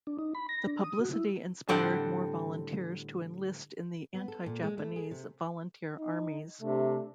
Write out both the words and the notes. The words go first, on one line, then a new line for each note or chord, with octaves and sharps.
The publicity inspired more volunteers to enlist in the Anti-Japanese Volunteer Armies.
D4
D#4
B5
A#6
D4
D#6
F#4
E4
A2 D3 G3 C4 D5 F#5
B3
A4
A#2
G#3
A3
G#4
C3
D#4
C3 A3 D4